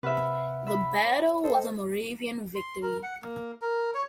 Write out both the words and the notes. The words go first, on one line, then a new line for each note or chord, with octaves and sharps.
The battle was a Moravian victory.
C3 B4 E5 F#5 F6
E5 B5
C#5
A4 C5 D#5
C6
A#4
F#5
A#3
A#4
C#5